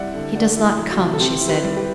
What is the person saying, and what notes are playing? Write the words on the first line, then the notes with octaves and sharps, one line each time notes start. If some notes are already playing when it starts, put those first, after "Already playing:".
"He does not come," she said.
Already playing: G3 C4 E4 D5 E5 F#5
D3
A3 D5 F#5
E4
F#3
F#4
C3
A4
C4 G4
E4
G4 B4
G3
G4 B4